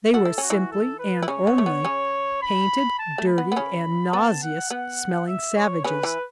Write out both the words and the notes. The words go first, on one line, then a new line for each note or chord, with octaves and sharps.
They were simply, and only, painted, dirty, and nauseous-smelling savages!
F#4 A4
E4
C#4 F#4
E3 E4
A4
B4
E4
C#3 C#4 C#5
B3
A3
B3
C#3 C#4
B5
A5
A3
B5
B3
B3
C#3 C#4
B3 A5
F#5
B3 F#5
E5
C#5
C#3 C#4 B4
E3 E4